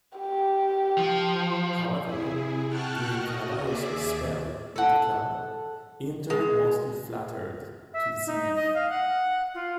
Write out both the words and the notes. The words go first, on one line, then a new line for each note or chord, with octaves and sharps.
However, during Cannavaro's spell with the club, Inter mostly flattered to deceive.
G4
F3
C3 E4 G#4
F#5 G5 A5 C#6 F6 F#6
F#4 D#5
D#2 G#4 D5 E5 D6
A4 F#5
G#3
E5
D#4
D#5
F5
F#5
F4